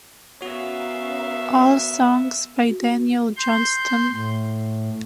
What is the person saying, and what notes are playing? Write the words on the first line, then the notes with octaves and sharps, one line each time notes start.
All songs by Daniel Johnston.
B3 C#4 F#4 A#4 C#5 E5 F5
F#4
C6 G6
A2